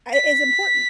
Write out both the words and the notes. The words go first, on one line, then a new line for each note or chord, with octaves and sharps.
I is important.
B6